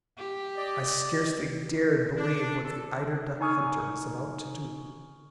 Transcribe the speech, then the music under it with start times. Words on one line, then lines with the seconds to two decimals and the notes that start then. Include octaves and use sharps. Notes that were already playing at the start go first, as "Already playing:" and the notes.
I scarcely dared believe what the eider-duck hunter was about to do.
0.18 G4
0.57 D5 D#5
2.17 D4
2.63 A4
3.41 D#4 G#5 C#6 D#6 F6